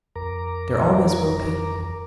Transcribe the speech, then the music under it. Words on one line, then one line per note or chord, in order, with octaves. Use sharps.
"There always will be."
F2 A#4 A#5 D6